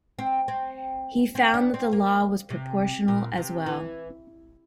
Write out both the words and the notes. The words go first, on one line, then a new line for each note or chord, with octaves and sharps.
He found that the law was proportional as well.
C4
C4
C4
D4
C4
A#3
C3
A#2
C3
E3